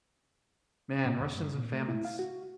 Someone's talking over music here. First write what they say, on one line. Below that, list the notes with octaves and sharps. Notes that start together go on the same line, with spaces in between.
man, Russians and famines.
A2
E2
G2
A#2
A3
E4
F5
F#4